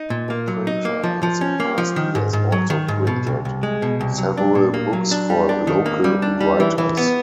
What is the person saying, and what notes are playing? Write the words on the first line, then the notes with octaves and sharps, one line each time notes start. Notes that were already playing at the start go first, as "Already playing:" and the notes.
The printer has in past years also printed several books for local writers.
Already playing: D#4
A#2
A#3
F#3
D#4
A#3
F3
F3
C#4
A#3
F3
D#3
G#2
G#2
F#3
D#3
G#2
B2
C2
C2
G#3
B2
C2
F#3
D4
A#2
A#3
F#3
D4
G3
D4
D#3
A#3
G3
D4
G3
E3
E3
B3